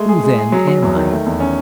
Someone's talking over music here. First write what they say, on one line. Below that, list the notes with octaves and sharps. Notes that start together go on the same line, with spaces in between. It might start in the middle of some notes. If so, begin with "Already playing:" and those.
"Who, then, am I?"
Already playing: G#3 A3
G#4
G#3
G#4
F#3
F#3
E2
D#3
A3
E2
C#4